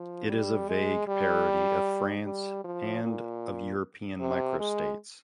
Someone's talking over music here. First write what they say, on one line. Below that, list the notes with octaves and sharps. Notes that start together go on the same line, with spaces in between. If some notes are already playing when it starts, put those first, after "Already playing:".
It is a vague parody of France and of European microstates.
Already playing: F3
G3
G#3
G3
G3
F3
A#2
C3
G#3